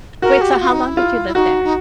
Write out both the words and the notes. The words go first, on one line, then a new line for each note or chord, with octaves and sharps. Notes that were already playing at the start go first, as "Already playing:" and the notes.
Wait, so how long did you live there?
F#4 A#4
G4
F4
D#4
E4
F4
E4
D#4 F#4
D#4